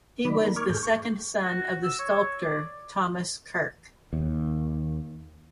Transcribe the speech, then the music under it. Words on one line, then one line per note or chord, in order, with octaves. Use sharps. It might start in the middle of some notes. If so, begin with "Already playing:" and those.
He was the second son of the sculptor Thomas Kirk.
D#3 F#3 D#4 D5 B5
A#3 A#4
C#6 D6 F6 G#6
G#2 G#4 A4 G6
C#6
F#4
E6
C#5
D5
D#2